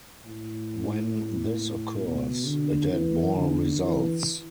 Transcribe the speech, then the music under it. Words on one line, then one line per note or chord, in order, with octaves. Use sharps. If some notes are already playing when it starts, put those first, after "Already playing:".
When this occurs, a dead ball results.
A2
B2
D3
E3
D3
E3